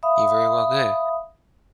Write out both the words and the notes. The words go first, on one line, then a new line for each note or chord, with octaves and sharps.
You very well could.
E5 F5 B5 D#6